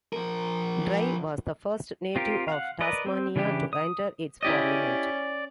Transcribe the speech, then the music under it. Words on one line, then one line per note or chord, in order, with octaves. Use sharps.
Dry was the first native of Tasmania to enter its parliament.
F3 A#4
C4 F4 G4 A#4
F5 F#5
A#4 B4 D5 D#5
C4
C#3 E3 D4 E4 G4
D#6
C#4 E4 G4 D5 D#5